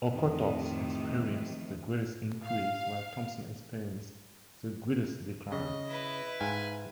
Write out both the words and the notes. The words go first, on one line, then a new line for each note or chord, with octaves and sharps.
Okotoks experienced the greatest increase while Thompson experienced the greatest decline.
F2 A2 C3 D#3 E3
F5
C#3 D#5
E4 B4
G#2 F5 G5 G#5